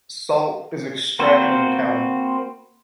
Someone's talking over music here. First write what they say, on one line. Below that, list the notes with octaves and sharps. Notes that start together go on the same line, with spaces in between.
Salt is also extracted in the county.
A#3 C4 F#4 B4 C5